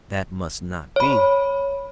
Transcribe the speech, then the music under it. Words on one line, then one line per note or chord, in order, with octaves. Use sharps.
That must not be!
C#5 B5